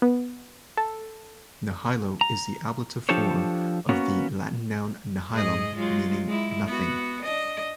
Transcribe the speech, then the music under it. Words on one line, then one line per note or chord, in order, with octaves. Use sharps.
'Nihilo' is the ablative form of the Latin noun 'nihilum' meaning 'Nothing'.
B3
A4
A#5
F3 D4 G4 A4 C5 C#5
A#3 B3 C#4 F#4
G#2 G#4 D#5
F#3 G#3 F4
G#3 E4
B3 F#4
D4 D#5